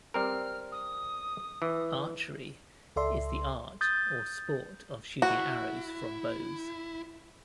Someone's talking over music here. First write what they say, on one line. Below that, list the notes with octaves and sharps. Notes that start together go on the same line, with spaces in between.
Archery is the art or sport of shooting arrows from bows.
G3 C4 A#4 F6
D#6
E3
C#2 A4 D5 E5 C6
D#6 G6 A6
E4 F#4